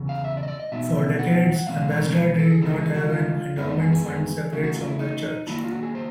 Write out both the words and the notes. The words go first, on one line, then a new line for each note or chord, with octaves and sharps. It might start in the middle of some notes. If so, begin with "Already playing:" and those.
For decades Ambassador did not have an endowment fund separate from the church.
Already playing: E2 C#3
F5
E5
D5
D#5
D5
D#5
B2 F#3 B3 D#4 E5
F#5
F#5
B2 G#3 C4 F5
C#5
A#4
B4
A4
G#4
C#3 E3 G#3 C4 D#4 A4
G#4
F#4
F4
F#2 D#3 G#3 B3 E4
D#4
G#4
G#4
C#3 F#3 A3
F#4
F4
E4
D#4
D#3 F#3 A#3 D4 E4
F4
F#4
G#4
C5